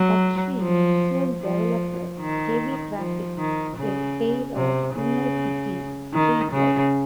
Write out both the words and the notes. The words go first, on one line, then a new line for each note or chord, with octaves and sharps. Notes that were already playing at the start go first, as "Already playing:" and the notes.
Bakshi soon developed "Heavy Traffic", a tale of inner-city street life.
Already playing: F#3
F3
F3
D#3
F3
D#3
C#3
C3
C#3
D#3
C#3